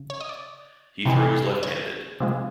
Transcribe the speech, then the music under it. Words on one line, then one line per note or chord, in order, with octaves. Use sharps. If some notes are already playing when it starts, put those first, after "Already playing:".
He throws left-handed.
Already playing: C#3
C#5
D#5
D5
C3 E3 G#3
C#5
C3 F3 G#3